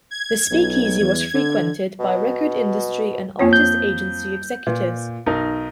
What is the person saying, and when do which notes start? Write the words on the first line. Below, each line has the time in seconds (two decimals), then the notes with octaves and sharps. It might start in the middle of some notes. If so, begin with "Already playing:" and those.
The Speakeasy was frequented by record industry and artist agency executives.
0.11 G#6
0.51 B1
1.01 E2
1.34 D3
1.99 B2
3.39 F2 A#3 F4 C#5
3.53 G6
4.67 A#2 B4
5.26 B1 D#4 A#4